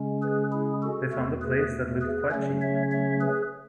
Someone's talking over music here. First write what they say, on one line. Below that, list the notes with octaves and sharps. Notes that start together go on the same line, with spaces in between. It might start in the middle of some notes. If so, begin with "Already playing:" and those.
They found a place that looked quite cheap.
Already playing: C#3 G#3 C#4
G#4 B4
E4 G#4
F#4 A4
E2 B2 A3
G#4 B4
G#4 B4
C#3 F#3 A3 C#4
C#5 E5
C#5 E5
G#4 B4